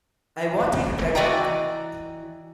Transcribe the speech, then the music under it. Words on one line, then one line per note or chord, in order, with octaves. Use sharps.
I want you to drive back.
E3 F#4 D5 D#5 G5 A#5